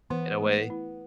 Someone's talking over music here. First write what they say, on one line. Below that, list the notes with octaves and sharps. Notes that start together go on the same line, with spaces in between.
in a way.
E3 B3
A3
E4